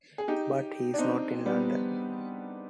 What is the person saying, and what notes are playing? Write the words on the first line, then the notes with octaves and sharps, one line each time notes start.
But he's not in London?
G#4
D#4 G4
D4
C4 D#4
G3 B3